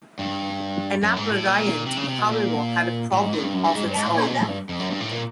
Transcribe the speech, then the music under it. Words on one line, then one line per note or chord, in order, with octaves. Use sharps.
Enalaprilat, however, had a problem of its own.
G2
F#2
G#2
A2
A#2
C3
C#3
C3
B2
A#2
A2
G#2
A2
G2
F#2
G2
G#2
G2
G#2
A2
A#2
B2
A2
G2
F2
F#2
G2
A2
A#2